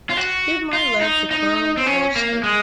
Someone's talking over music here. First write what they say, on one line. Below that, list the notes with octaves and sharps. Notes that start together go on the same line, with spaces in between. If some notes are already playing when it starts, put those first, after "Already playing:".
Give my love to Colonel Forster.
F4
F#4
F4
D#4
D#4
C4
C#4
A#3
G#3